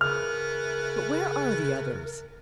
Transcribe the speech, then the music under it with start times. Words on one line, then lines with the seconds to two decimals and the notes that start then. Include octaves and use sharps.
But where are the others?
0.01 C#3 B3 E4 A#4 F6